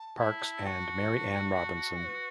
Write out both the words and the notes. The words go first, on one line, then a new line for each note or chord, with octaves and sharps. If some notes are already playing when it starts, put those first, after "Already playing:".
Parks and Mary Ann Robinson.
Already playing: A5
E4
F#4
B4